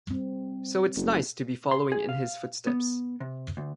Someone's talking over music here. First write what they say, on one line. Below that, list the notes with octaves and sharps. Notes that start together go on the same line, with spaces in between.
So it's nice to be following in his footsteps.
G3 C4
F#1
C6
G#4
F5
B3
C3
D2